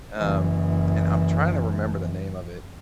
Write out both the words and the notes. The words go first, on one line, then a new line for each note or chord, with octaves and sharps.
um, and I'm tryna remember the name of it,
F#1 E3